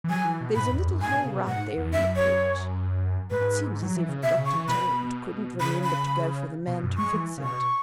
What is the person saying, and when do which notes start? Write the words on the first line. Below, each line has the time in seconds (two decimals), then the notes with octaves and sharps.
There's a little hole right there in the porch; it seems as if Doctor Tarrant couldn't remember to go for the man to fix it.
0.04 E3
0.09 F#3 G#5
0.25 E3
0.41 B2
0.56 G#2 B5
0.71 E2
0.86 F#2
1.01 G#2 G#5
1.13 B2
1.24 C#3
1.36 B2
1.47 G#2 F#5
1.78 E2
1.93 F#2 E5
2.16 C#5
3.31 G#2 B4
3.83 F#3
3.96 E3
4.09 C#3
4.23 B2 E5
4.37 C#3
4.46 C#6
4.53 E3
4.68 B2 B5
5.60 C#3 B5
5.83 B5
6.67 B2
6.83 F#2
6.97 G#3 C#6
7.13 E3
7.38 C#3
7.43 B2 C#6